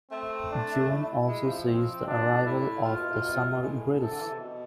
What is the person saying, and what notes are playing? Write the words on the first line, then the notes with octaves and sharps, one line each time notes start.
June also sees the arrival of the summer grilse.
A3 C4
D4
E4
G#3
F3
C4
B2 D4
A2
A2 E4
A2 F4
B2
A2
B2
C3
B2
A2 G#4
C3 A4
D3
E3
C3
B2